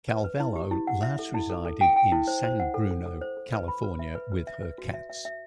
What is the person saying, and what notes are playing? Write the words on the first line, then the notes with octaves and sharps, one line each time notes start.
Calvello last resided in San Bruno, California with her cats.
B4
B4
E4
G4
E4
F#5
E5
A4
E4
A4
A4
G5
G5
E4
C5
C5
F#5
A4
A4
A4
C5
A4
B4
B5
B4
E5
B4
B4
E5
B4
F#4
E5
E5
E5